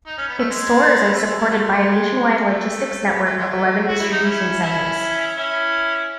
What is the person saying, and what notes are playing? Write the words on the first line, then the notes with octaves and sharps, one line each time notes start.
Its stores are supported by a nationwide logistics network of eleven distribution centers.
D#4
C#4
B3
A3
G#3
B3
A3
G#3
G#3
F#3
G#3
A3
B3
A3
G#3
A3
F#4
E4
D#4
C#4 E4
C#4 E4
C#4 E4